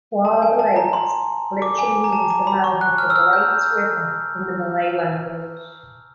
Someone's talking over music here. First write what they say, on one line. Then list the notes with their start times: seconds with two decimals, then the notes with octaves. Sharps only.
"Kuala Belait" literally means "the mouth of the Belait River" in the Malay language.
0.25 A5
0.42 G#5
0.59 A5
0.76 A#5
0.93 C6
1.62 D6
1.79 G#5
2.04 A#5
2.13 A5
2.30 A#5
2.47 B5
2.64 C#6
2.81 F#6
2.98 F6
3.10 E6
3.16 F6
3.33 G6